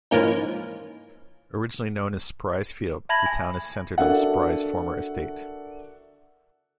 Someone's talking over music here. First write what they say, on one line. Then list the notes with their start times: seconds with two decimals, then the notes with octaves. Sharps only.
Originally known as Spry's Field, the town is centred on Spry's former estate.
0.11 G#2 E3 F3 A#3 C#4 D#4
3.09 E5 A5 B5 G#6 A#6 F#7
3.26 G#5
3.98 D4 F#4 A4 A#4 E5 F#5